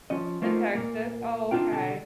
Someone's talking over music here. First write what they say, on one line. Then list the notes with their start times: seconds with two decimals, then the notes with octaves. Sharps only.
in Texas? Oh, okay.
0.10 F3 C#4 D#5
0.42 A3 A#3 C4 D#4 F4
0.75 A#2 A#3
1.51 C4 D4 D#4 F4 G5
1.71 B2 D3 A5